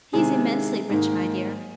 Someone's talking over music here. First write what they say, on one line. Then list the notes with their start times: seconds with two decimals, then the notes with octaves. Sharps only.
He's immensely rich, my dear.
0.13 C3 D#3 G#3 G#4 G#5
0.90 G#2 D#3 A#3